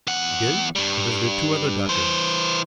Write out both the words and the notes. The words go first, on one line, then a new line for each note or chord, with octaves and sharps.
He did, and visited two other doctors.
E2 F#5
G2 G3
E3 C5